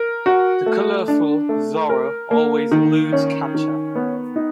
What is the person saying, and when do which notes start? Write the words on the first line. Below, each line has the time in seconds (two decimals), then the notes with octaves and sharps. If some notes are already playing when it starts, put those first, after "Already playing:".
The colorful Zorro always eludes capture.
Already playing: A#4
0.26 F#4
0.66 A3
1.08 D4
1.49 A3
1.90 A#4
2.31 A#3
2.71 D#3
3.12 C#4
3.54 D#3
3.95 B3
4.36 D#4